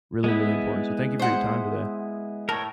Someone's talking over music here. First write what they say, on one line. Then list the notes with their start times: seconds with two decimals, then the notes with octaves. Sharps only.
really, really important. So thank you for your time today.
0.24 G#3 B3 E4
1.19 C5 F#5
2.49 A2 A#4 C#5